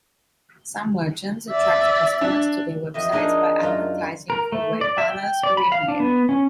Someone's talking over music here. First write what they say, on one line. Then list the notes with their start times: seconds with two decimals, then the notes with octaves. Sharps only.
Some merchants attract customers to their websites by advertising through web banners or email.
1.50 D5 E5
2.21 D4
2.94 F2 D#5 E5
3.12 D4 D#4 G#4 A#4 G#5
3.61 F#2 F4 A#5
4.30 A#4
4.52 A3
4.81 D5
4.98 E5
5.10 G5
5.43 D5
5.57 B5
5.72 F5
5.88 D4
6.00 B3
6.29 C#4